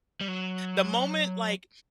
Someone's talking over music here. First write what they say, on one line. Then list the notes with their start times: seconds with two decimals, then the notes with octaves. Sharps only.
The moment like,
0.21 G3
0.28 F#3